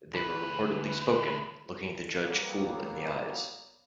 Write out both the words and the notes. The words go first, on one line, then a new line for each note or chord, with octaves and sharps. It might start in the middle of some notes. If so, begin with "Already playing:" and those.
They were reportedly spoken looking the judge full in the eyes.
D2 B4
F#3 G3 A#3 B3